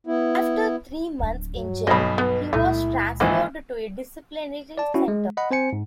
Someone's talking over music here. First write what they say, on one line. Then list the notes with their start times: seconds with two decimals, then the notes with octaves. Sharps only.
After three months in jail he was transferred to a disciplinary centre.
0.07 B3 E4
1.19 D1 D4
1.55 G2 F#3
1.87 B1 B2 D#5 B5
2.18 B3 B4
2.53 C#2 A#2 A3 D#4 E4
3.20 G#1 E3 F3 A#3 E4
4.78 D5 A5
4.94 C#4 E4 F#4
5.08 G#3
5.37 D#5 F#5 B5
5.51 C4 C5 G#5 C#7
5.73 G#2